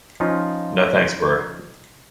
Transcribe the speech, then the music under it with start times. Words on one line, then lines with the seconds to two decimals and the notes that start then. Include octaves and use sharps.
No thanks bro.
0.20 F3 C#4 D#4 F4